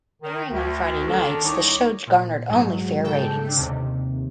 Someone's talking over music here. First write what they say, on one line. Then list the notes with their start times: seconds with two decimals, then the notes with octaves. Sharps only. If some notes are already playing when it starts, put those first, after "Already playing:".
Airing on Friday nights, the show garnered only fair ratings.
0.22 D#3
0.52 D2
1.07 D#3 D4 A4
1.44 C2 D#4 C#5 D6
2.07 A#2
2.49 G#2 F#3
3.04 G#2 C#3 A4 G5
3.44 A3 D4
3.56 D#2 C3 D#3